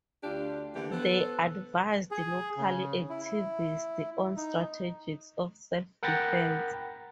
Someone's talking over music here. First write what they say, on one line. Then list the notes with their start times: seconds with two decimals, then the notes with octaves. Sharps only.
They advised local activists on strategies of self-defense.
0.24 D2 D4 F4 G4
0.76 D3 E3 A#3 G4
0.92 B3 A4 B4 C5
2.11 G#4
2.57 C#3
3.10 E4
4.37 D#4
6.03 A#4 F#5 G5 B5 A6 A#6